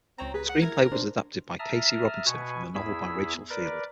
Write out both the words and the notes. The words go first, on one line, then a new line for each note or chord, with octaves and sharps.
The screenplay was adapted by Casey Robinson from the novel by Rachel Field.
C#2 C4 C#5 A#5
G#4 B4
F#5
E4 A#4 G#6
D4 C5
E5 A5 A#5 D#6 F6
B2 B4 G#5 C#6
E2 E4 G#4 B5 E6
A#4 B4 D5 D6